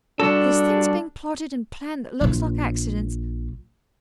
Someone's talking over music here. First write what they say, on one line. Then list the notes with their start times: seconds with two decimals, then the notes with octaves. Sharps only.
There's things being plotted and planned that looks like accidents.
0.20 G3 D4 F#4 A4
2.21 A#1 F4